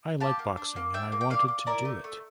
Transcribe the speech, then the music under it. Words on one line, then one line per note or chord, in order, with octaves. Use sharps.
I like boxing and I wanted to do it.
G4 F5 A5
A#3
D4
A#3
D4 E5 G5
A#3
G5
A#3 D5 F5
A#3
E4 A#4 D5
A3
A3